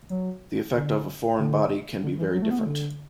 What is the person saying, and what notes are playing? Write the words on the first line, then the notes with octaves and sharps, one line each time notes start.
The effect of a foreign body can be very different.
F#3
D3
D3
D3
E3
F#3
A3
B3
A3
D3